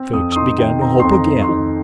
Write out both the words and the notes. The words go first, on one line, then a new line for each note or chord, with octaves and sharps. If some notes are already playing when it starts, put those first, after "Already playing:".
Fix began to hope again.
Already playing: C4
F2 D#6
D#6
D#4 C6
D#3 G5
C4 A#5
F2 C6
A#5
D#4
C6
D#3